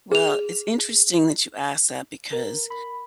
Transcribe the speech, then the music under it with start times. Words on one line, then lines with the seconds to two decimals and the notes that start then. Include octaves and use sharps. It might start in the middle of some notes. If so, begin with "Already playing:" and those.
Well, it's interesting that you ask that because,
0.12 G#4 F7
2.33 A#4
2.70 B5